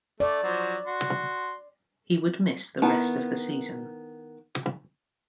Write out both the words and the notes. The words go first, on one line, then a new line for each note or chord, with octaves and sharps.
He would miss the rest of the season.
A3 D5
F3 F#3 C5
F#4 C6
D#3 B3 E4 A5